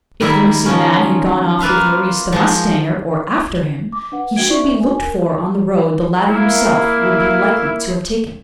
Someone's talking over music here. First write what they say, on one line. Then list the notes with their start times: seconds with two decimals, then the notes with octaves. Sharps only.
If the missing man had gone off with Maurice the mustanger, or after him, he should be looked for on the road the latter himself would be likely to have taken.
0.21 D#3 G3 E4 E5
0.66 D#3 F3 C#4
1.60 A#3 F4 B4 E5 F5
2.32 F3 G#3 C5
3.92 D6
4.12 D4 B4 F#5
4.36 F#4 E5 G5 G#6 D7
4.50 C5 D5 E5 C#6
4.80 D4 F#4 G#5
4.93 A#4 G#5
6.26 A#3 E4